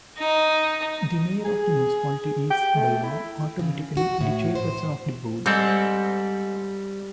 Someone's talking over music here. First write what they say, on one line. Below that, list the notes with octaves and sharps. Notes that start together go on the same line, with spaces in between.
The Mayor of the municipality is, by law, automatically the Chairperson of the board.
D#4
G#4
G5
A3
E4
C#3
F#4
A2
C5
G#2 G3 C4 A4